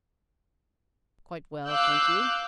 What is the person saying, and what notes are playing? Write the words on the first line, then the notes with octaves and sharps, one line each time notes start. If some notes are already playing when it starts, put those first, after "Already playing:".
"Quite well, thank you."
F5 D6 E6 F#6 G6